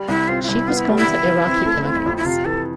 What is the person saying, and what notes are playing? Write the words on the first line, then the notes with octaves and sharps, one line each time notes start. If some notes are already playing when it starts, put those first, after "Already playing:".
She was born to Iraqi immigrants.
Already playing: G3
C2 E4
C4 F4
F4
C2 E4
B3 F4
E4
G3
E4
E3
E3
C4
A3
C4
F2
E4
C3 F4
E3 A4